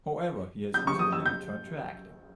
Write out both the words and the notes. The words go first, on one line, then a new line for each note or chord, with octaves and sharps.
However, he has recently returned to acting.
G6
C#6
D#6
E6
G6